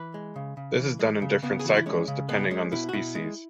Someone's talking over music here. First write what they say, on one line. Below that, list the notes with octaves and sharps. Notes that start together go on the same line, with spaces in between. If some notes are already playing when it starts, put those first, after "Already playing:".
This is done in different cycles, depending on the species.
Already playing: E3 B4
G#3
C#3
C#3
E3
G#3
C#3
C#3 B3
G#4
E3 F#4
E4
G#3 C#4
C#3
G#3 B3
G#3 C#4
B2 E4
F#4
B2 E4
G#3